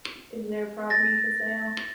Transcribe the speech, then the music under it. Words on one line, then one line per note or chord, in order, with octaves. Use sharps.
Is there a property for sale?
A6 A#6